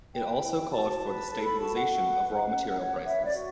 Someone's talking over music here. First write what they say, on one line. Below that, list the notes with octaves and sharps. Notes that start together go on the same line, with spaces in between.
It also called for the stabilization of raw material prices.
B4 G5
E4
F#4 A5
B4
A4 A5
B5
F#4 A5
F#5
F#4
B4
C#4
C#5
B4 E5
D5
F#4